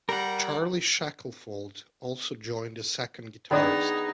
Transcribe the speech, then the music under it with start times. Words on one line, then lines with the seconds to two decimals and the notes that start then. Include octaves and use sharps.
Charley Shackelford also joined as a second guitarist.
0.09 G3 A#4 F#5
3.51 D#3 B3 D4 D#4 G#4 D#6